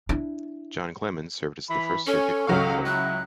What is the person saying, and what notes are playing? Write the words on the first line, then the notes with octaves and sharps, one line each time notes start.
John Clemens served as the first circuit court clerk.
D4 E4
E3 B5
C#4 A4
C#2 F#3 F5 C#6
E4 F#6